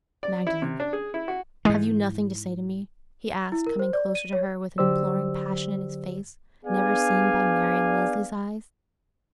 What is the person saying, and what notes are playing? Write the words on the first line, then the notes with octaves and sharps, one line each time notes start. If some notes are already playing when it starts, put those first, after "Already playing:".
"Magdalen, have you nothing to say to me?" he asked, coming closer to her with an imploring passion in his face never seen by Marian Lesley's eyes.
D5
E4
C3
D4
G#4
E4
F#4
G#2 E3 G#3
E4
A#4
C5
D5
D#7
C#5
D3 F#3 G4 C5 D5 E6
B3 D4 G#4 D5 F5 G#5